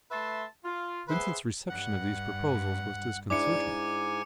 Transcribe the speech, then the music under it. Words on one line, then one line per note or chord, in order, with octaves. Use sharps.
Vincent's reception of these proposals was disconcerting.
A3 B4 E5 A5 C6
F4
G#4 B4 C5 E5 F#5 C6
G2 F#5
G#2 D4 E4 G#5 D6 C#7